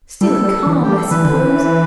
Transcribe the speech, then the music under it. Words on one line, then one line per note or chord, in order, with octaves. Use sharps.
Still a calm, I suppose?
G3 A4
G3
E3
G4
G3
A4
E3 B4
D3
E3